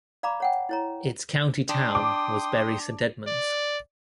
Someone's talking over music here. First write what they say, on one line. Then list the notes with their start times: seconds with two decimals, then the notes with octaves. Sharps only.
Its county town was Bury Saint Edmunds.
0.23 D5 F5 A#5 B5 D6
0.40 C#5 F#5 G5
0.69 E4 C#5 A#5
1.69 D4 G5 C6 D#6
1.95 D6
3.27 D5